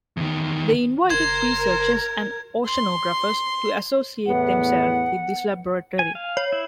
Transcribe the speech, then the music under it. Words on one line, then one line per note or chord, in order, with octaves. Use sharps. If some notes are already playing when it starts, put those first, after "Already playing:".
They invited researchers and oceanographers to associate themselves with this laboratory.
E2 D#3
F#1 A#4 C5 G#6
C6
E2 A2 B3 F#5
G#5
F5
C#5
E4